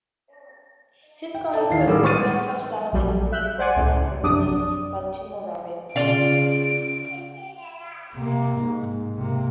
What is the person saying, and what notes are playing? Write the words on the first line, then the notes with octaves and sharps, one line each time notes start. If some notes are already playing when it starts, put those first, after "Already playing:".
He scored his first career touchdown in the season opener against the Baltimore Ravens.
G5
A4 D5 A5
D#2 E3 F5 C7
A1 D#3 G3 G#4 A#4 E6
G#3 C#6 F6 A6 D#7
A#1 F#3 G3
E5 F#6 G6
C5 D5 F#5 G#5 C6
C#2 A2
A#1 F#2 C3 D4 D5 D#6
C#3 F4 D5 F5 D7
C3 A#3
G#2
C3 A#3